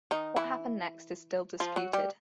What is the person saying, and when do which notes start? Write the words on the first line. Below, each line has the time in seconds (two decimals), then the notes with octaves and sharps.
What happened next is still disputed.
0.11 D#3 D#4
0.36 E3 E4
1.60 F3 F4
1.76 F#3 F#4
1.93 G3 G4